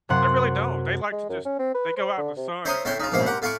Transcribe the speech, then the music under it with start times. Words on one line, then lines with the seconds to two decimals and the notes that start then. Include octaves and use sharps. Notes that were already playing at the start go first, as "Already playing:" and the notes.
They really don't, they like to just they go out in the sun and and they'll, um
0.09 F#2 C3 F#5 C6 F#6
1.12 G#3
1.29 F#2
1.46 C#4
1.59 C4
1.74 B4
1.97 C5
2.18 D3
2.37 C3
2.65 C5 C#5 E5 A#5 C6 D#6
2.85 A2 E4 C#5 E5 G5 C6
3.00 D#4 F4
3.12 A#1 G#2 B2 A#3 C5 E5
3.26 G4 A#4 F#5
3.42 A2 F4 F5 B5 C#6 D6